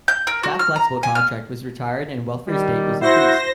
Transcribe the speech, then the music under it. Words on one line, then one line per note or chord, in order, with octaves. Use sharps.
That flexible contract was retired and welfare state was increased.
G6
A#4
F#4
F6
A#5
G#5
F6
D#3 G3
E4 F#4 C5 A#6